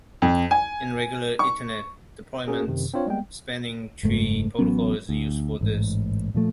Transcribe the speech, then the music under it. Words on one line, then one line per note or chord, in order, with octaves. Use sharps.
In regular Ethernet deployments, Spanning Tree Protocol is used for this.
F2
G#5
C#6
A#3 C#4 F#4 G#4 A#4
F#2 C3 D#3
C4 D4 F4 C#5
G3 G#3 A#3 B3 G5
F#1 G#2 A3
A1 F#3 B3 C#4
D2
A1 G#2
A#2 F3 A3